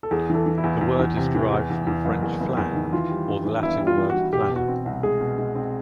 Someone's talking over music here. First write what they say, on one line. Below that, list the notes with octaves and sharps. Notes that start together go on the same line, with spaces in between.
The word is derived from the French "flan"; or the Latin word "flana".
A4
E2 G#4
E3
A4
E3
E4
E2
E2
E2
C3
E3
E2
E2
E2
F#1
E2
F#1
E2
D#3
E3 F4
G3
G2
E3
G1 E4
G3
F4
E3
F#4
E3
B2 G4
B2
F#4
C4
C2
G#3 G#4
B2
G#3
C4